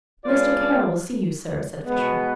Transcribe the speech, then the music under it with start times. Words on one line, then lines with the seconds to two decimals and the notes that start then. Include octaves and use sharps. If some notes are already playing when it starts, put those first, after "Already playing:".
"Mr. Kara will see you, sir," said Fisher.
0.24 G#3 D4 F4 B4 D5
1.83 B2 G#3 B3